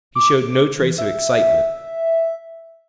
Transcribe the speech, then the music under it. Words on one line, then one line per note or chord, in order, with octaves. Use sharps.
He showed no trace of excitement.
D6
E3
E5